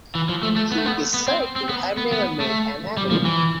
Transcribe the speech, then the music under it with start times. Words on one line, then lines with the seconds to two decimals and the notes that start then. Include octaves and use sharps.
He is said to have never made an enemy.
0.15 E3
0.29 F3
0.43 A3
0.56 A3
0.72 B3
0.78 A3
0.86 B3
1.14 B3
1.27 C4
1.56 C4
1.69 B3
1.97 B3
2.12 B3
2.40 A3
2.97 G3
3.11 F3
3.25 E3